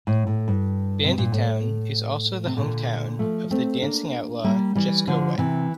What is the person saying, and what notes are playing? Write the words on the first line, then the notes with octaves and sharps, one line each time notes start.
Bandytown is also the hometown of the "Dancing Outlaw" Jesco White.
A2
A2
G2
C3
A#2
A2
C3
A#2 D3
F3 A3
A3 C4
A#3 D4
G3 A#3
E3 G3
D3 F3
C3 E3